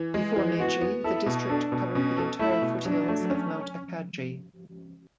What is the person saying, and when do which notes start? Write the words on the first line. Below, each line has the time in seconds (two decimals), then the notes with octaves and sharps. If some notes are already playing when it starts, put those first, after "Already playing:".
Before Meiji, the district covered the entire foothills of Mount Akagi.
Already playing: E3
0.14 G#3
0.36 E3
0.59 B3 F#4
0.81 B3
1.04 E4 A4
1.26 B2
1.49 D4 A4
1.72 B2
1.95 B2 C#4
2.17 A4
2.39 A3 E4
2.62 B2
2.85 F#3 D4
3.08 A3
3.30 C#4